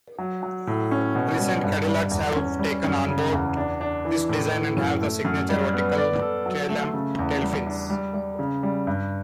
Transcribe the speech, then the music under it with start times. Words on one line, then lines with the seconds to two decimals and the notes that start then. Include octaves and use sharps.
Recent Cadillacs have taken onboard this design and have the signature vertical taillamp tailfins.
0.19 F#3
0.43 F#3
0.67 A2
0.91 C#4
1.15 B2
1.40 G3
1.64 G2
1.87 G3
2.11 E2
2.36 C#4
2.59 G3
2.84 F#2
3.09 C#3
3.32 E2
3.57 D4
3.81 D4
4.05 E3
4.29 A2
4.52 E3
4.76 F#2
5.01 A3
5.25 F#2
5.49 G3
5.73 B3
5.98 D5
6.21 A4
6.46 F#3
6.69 A3
6.94 C#3
7.19 E2
7.42 G3
7.67 D4
7.90 G3
8.14 G3
8.39 C#3
8.63 G3
8.87 G2